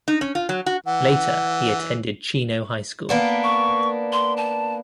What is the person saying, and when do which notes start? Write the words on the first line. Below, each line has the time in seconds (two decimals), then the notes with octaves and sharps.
Later he attended Chino High School.
0.08 D#4
0.21 C#4
0.35 F4
0.49 F#3
0.66 F#4
0.86 E3 F#5
3.09 A#3 B3 D4
3.43 C#6
4.12 C6
4.37 A5